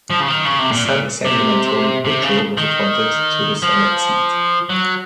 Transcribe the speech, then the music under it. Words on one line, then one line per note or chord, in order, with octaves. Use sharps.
His son Assemblyman Tony Bucco was appointed to the Senate seat.
F3
C#3
D#3
C#3
C3
A#2
A#2
C3
C3
C#3
D#3
F3
F#3